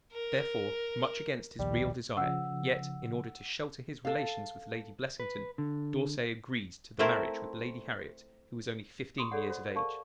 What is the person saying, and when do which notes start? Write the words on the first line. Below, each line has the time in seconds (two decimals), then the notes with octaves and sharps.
Therefore, much against his real desire, yet in order to shelter his relations with Lady Blessington, D'Orsay agreed to the marriage with Lady Harriet, who was only fifteen years of age.
0.12 A#4
1.59 A#1 D#2 G3
2.17 C#3 F3 F#5 E6
4.05 A4 F5
5.20 B4
5.58 D3
6.99 A3 C4 E4 A4 A#4 C5
9.18 G4 B5 C6 D#6
9.31 F#4 G#4 A4 C#5 D5 F#5
9.48 F#4 C5
9.75 A#4 D5 F5 A5 C#6